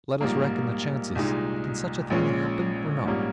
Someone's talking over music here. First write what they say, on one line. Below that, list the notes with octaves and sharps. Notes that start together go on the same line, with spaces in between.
Let us reckon the chances--can such a thing happen or not?
A#1 G#2 G3 A#3
C2 A#2 G#3 D#4
A#1 A#2 G#3 C#4
A#1 G#2 G3 A#3 C#4